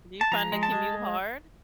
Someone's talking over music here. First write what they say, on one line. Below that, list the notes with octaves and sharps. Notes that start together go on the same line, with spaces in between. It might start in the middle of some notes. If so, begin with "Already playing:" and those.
Do you find the commute hard?
A5
F3 A#5
G#3
A5
G#3